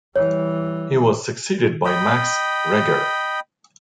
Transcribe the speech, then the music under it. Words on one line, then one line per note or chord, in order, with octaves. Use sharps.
He was succeeded by Max Reger.
E3 G3 C#5
D#5 G5 B5